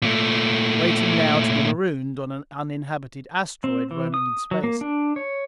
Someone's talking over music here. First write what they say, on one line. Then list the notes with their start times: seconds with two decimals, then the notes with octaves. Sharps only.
Waiting now to be marooned on an uninhabited asteroid roaming in space.
0.02 A#2 A3
3.64 C4
3.91 E3
4.14 D#6
4.51 F#3
4.64 A#3
4.81 D4
5.16 C#5